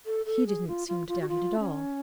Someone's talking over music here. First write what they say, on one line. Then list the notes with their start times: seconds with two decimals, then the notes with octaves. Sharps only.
"He did'nt seem to doubt it at all."
0.06 A4
0.26 A4
0.47 G#4
0.67 F4
0.88 F4
1.08 F4
1.21 F#4
1.29 F4
1.59 C#4